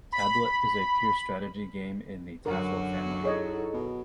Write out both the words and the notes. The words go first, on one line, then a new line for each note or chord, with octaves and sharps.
"Tablut" is a pure strategy game in the tafl family.
B5
F#2 D3 F#3 F#4 A#4 F#5
D#4 E4 G#4 A4 C#5 D#5
B2